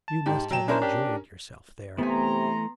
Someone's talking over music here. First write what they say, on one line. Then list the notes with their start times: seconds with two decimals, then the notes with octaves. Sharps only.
You must have enjoyed yourself there.'
0.08 A5
0.26 G#2 G4
0.51 F#3 G5 E7
0.68 C#4 D4 E4 A#4 C5
0.82 D4 G4
1.98 C3 E3 A3 B3 E5 G#5 A#5 C6